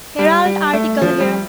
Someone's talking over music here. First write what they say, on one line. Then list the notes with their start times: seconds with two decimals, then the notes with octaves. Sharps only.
Herald article here.
0.19 G3
0.46 G3
0.73 A3
1.02 F3
1.20 G3